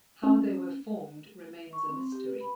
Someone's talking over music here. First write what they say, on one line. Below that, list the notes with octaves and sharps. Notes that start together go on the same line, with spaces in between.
How they were formed remains a mystery.
C#4
C#6
C4
G4
B4
B5